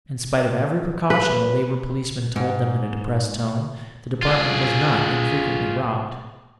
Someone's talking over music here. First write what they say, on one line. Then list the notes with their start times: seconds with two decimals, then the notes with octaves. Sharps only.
In spite of every precaution, the Labour policeman told them in a depressed tone, the Department was not infrequently robbed.
1.10 B4
2.36 G#2
4.23 F4 G#4